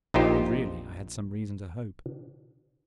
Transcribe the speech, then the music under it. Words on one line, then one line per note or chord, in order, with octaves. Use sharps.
And really I had some reason to hope.
A#1 D#4 F4 G4 C5